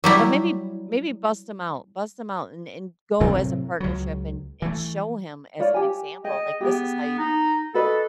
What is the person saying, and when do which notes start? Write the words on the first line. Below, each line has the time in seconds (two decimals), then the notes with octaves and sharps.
But maybe maybe bust him out bust him out and and go as a partnership and and show him as an example. Like, this is how you
0.04 F#3 G3 E4
3.20 A2 C3 F#3 C4
3.80 C#2 F#3
4.62 E3 A3
5.59 F4 C#5 D5
5.74 G4 G#5
6.24 G#4 D#5 G5
6.61 B3 G4 G#4 G5
7.18 D#4
7.74 F#4 A4 B4 D#5